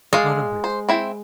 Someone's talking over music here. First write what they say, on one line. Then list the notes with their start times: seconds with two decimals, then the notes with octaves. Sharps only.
Not a bit.
0.13 G#3 D5 F5
0.64 C5
0.89 C4 E4 G5